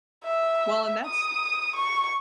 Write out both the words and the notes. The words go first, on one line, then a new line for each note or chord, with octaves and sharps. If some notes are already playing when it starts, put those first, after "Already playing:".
Well, and that's
E5
D#6
C#6